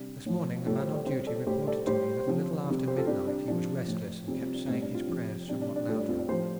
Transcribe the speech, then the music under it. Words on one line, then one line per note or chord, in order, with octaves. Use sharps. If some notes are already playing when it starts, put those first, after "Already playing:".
This morning the man on duty reported to me that a little after midnight he was restless and kept saying his prayers somewhat loudly.
Already playing: C3 G3 D4 G4
A2 F3
A2 G3 F4 A4
G4 C5
A4 D5
C3 G3 G4 C5
A4 D5
A2 G3 G4 C5
A4 D5
A2 G3 G4 C5
C3 F3
C3 G3
G4 C5
F4 A4
C3 G3 D4 G4
D4
C3 F3 D4
A2 F3
C3 G3 C4 F4
C4 F4
D4
A2 G3 C4
D4
C4 F4
C3 F3
C3 G3 D4
D4
D4 G4
A2 G3 F4 A4
D4 G4
C4 F4
D4
A2 F3 G4 C5